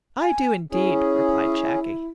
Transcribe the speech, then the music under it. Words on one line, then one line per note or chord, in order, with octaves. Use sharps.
"I do, indeed," replied Shaggy.
G#5
C#4 E4 G#4